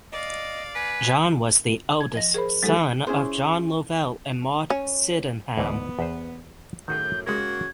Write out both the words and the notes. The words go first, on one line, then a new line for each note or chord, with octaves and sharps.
John was the eldest son of John Lovel and Maud Sydenham.
D5 D#5 F5
B4 G#5
G#6
F3 D#5 A#6
G#4 A#4 C5 B5
F#3 G#3 D#4 G4 A4
C#4 E4 G#4 C5
C#4
D2 G#2 E3 B3
E2 B4 C5
F#2 A2 D#3 F#4 G#4 G6
C#3 G#3 A#3 F#4 G4 A#4 G#6